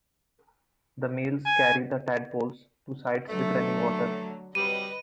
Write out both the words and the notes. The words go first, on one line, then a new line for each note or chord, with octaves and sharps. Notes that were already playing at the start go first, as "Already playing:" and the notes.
The males carry the tadpoles to sites with running water.
G#5
D3 F#3 A3
C3 F#3 G3 B4 D#5 D#7